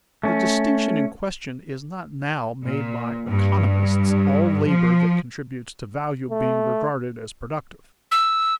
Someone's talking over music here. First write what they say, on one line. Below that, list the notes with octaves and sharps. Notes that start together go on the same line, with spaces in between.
The distinction in question is not now made by economists, all labor that contributes to value being regarded as productive.
A3 C#4
A#2
G2
F3
A3
E6